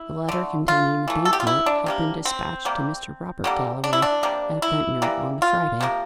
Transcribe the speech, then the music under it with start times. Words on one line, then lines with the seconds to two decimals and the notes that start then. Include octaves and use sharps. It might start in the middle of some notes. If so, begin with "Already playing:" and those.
The letter containing the bank-note had been despatched to Mr. Robert Galloway, at Ventnor, on the Friday.
Already playing: E4
0.29 D3 A3
0.68 F4
1.08 E3 A3
1.25 A4
1.33 G4
1.40 F4
1.47 E4
1.66 D4
1.86 C3 G3 A#3
2.25 C4
2.65 C3 G3 A#3
3.44 D3 G3 A#3
3.84 D4
3.93 E4
4.02 D4
4.23 C3 G3 A#3
4.62 E4
5.02 E3 G3 A#3
5.42 F4
5.80 C3 F3 A#3